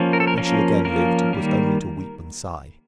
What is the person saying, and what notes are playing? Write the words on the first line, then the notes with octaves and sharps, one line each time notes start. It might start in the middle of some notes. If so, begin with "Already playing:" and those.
When she again lived, it was only to weep and sigh.
Already playing: F3 A#3 C#4
A#4
A4
A#4
F3 A#3 C#4 A#4
F3 A#3 C#4 A#4
D#3 G3 A#3